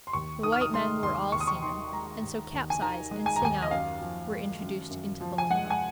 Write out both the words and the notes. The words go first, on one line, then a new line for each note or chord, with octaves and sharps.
The white men were all seamen, and so capsize and sing out were introduced into the lingo.
C6
D#2 C#6
D#3 D#6
F6
D#6
G#3 C6
D#2 C6
D#2 C#6
D#6
C#6
D#3 C6
G#3 A#5
D#2
D#2
G#5
D#3 A#5
G#3
G#5
A#5
D#2 G#5
D#5
F#2 F5
F3
G#3
F#2
F#2
F3
G#5
G#3 F#5
G#5